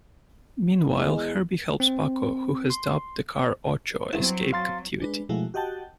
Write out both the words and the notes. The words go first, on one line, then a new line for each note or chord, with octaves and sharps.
Meanwhile, Herbie helps Paco, who has dubbed the car 'Ocho', escape captivity.
E2 G#3
C4
C6
G2 F#3 C4 E4
F#3 F5 C6 A6
G#3 D4 B4
B2 F3 G#3 A3 E4 F#4
F#4 G4 D#5 F#5 G5 A5